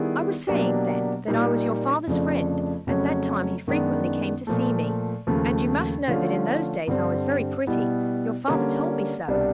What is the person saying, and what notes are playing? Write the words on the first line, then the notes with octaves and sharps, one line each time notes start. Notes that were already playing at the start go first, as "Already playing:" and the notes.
I was saying, then, that I was your father's friend; at that time he frequently came to see me; and you must know that in those days I was very pretty; your father told me so.
Already playing: D#3 G3 B3 E4 G#4
B2 F#3 A#3 D4 G4
A#2 G3 A#3 D#4
F2 C#3 F3 A3 D4
F2 C#3 F#3 A3 C#4
F#2 D#3 G#3 B3 D4
A#2 F3 A3
D#2 C#3 F3 A3
D3 F3 A3 C#4 F4
G2 D3 G3 C4
B2 G3 B3 E4
D3 G3 A#3 C#4
C2 B2 G3 B3 D4